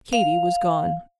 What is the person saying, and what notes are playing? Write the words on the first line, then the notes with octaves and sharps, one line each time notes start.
Katy was gone.
F5